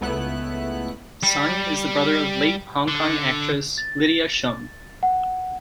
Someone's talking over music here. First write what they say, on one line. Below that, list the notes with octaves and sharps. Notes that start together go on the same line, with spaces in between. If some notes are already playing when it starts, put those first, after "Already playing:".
Sung is the brother of late Hong Kong actress Lydia Shum.
C#2 A3 B3 E4 F#6
G3
D3
A6
F#5